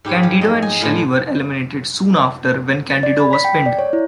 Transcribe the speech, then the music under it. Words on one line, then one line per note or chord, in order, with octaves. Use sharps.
Candido and Shelley were eliminated soon after when Candido was pinned.
G#2 G4 B4 C#5
F3
D#5
G#5
A2 F4
A6
D5
B5
B6
G5
D5
C#5
E4